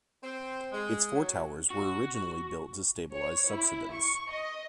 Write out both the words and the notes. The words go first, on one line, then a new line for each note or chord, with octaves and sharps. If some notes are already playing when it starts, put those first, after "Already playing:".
Its four towers were originally built to stabilise subsidence.
C4
G#3
F#3
F#4
C#5
E4
C#6
D#5